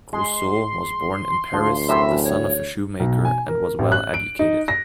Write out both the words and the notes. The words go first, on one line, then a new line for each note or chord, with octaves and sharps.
Rousseau was born in Paris, the son of a shoemaker, and was well educated.
G#3 C6
D2 F3
F#2 A2 C3 E5
C#5
B1
G#5
A#4
A1
F#6
D7
D#4
A#6